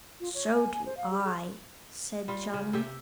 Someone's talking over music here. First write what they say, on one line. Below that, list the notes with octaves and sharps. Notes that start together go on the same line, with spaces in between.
"So do I," said Johnny.
F4
C#5
G#5
G#5
C5
F5
G4
G#4
G3 F4
C#3
C3 G4 E5